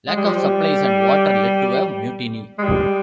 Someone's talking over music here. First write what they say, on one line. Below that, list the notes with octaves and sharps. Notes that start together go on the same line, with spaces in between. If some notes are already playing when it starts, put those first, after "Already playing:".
Lack of supplies and water led to a mutiny.
G#3
G3
F3
G3
G#3
G3